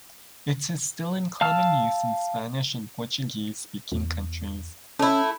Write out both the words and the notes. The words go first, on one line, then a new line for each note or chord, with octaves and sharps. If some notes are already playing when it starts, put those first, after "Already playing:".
It is still in common use in Spanish- and Portuguese-speaking countries.
F5 A5 E6 F6
E2
A3 C#4 E4